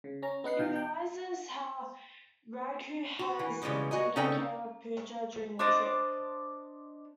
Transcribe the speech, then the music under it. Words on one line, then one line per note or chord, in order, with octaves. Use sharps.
He realises how Raghu has taken care of Pooja during the trip.
C#3
C#4 A#5
B3 D#4 F#5 C7
B2 E3 F5 G5
G5
F#4
E3
C#3 E3 G3 G#3 B3
F#4 D#5 G#5
C#3 C#4 D#4 A4 D5 G5
D4 C5 D5 D#5